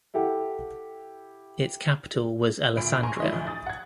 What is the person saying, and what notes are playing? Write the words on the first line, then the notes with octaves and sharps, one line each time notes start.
Its capital was Alessandria.
E4 G4 A4 F#5
D2 A#2 B5 D7
G#5 A#5 C6 C#6
E3 F3 E4 D#5
D2
D#6 A6
F#5 G#6